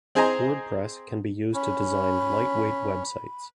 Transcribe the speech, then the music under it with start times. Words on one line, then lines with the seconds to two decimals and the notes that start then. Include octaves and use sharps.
Wordpress can be used to design light weight websites.
0.15 C4 G#4 C5 D#5 G#5 A#5
1.54 C#4 B5